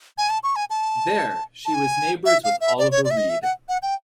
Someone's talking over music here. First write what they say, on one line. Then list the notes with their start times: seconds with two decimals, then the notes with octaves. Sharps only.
There, she was neighbours with Oliver Reed.
0.18 G#5
0.30 A5
0.43 C#6
0.56 G#5
0.70 A5
1.65 A5
1.74 G#5
2.25 E5
2.44 F5
2.61 E5
2.79 D5
2.92 C#5
3.05 D5
3.11 E5
3.17 D#5
3.29 E5
3.42 F#5
3.69 F#5
3.82 G5